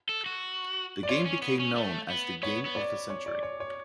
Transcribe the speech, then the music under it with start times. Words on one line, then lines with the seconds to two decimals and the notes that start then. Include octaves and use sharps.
The game became known as the game of the century.
0.09 A4
0.26 F#4
1.03 D5
1.09 F4 C#5
1.26 C#4
1.42 B3
1.60 C#4
1.75 A3
2.10 B3
2.43 B3 C#5
2.65 B3
2.76 D5
3.10 C#5
3.26 D5
3.43 C#5
3.60 C#5